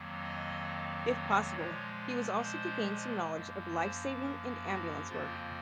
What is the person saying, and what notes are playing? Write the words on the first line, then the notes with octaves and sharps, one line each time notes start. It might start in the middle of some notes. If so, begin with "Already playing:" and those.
If possible, he was also to gain some knowledge of "life-saving and ambulance work".
Already playing: F2 D#3 F#3 A#3
D#5
A#2 F3 G#3 C#5
C5
F#2 F3 A#3
C5
A#4
F#4
F2 C#3 F3 A#3 F4